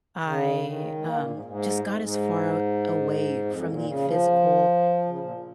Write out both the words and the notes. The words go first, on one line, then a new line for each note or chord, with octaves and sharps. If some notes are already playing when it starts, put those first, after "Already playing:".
I, um, just got as far aw away from the physical,
C#3
D#3
G#3
A#3
A#2
G#2
G#2
G#2
F2
G#2
F2
A#2
C#3
F3
C#3
A#2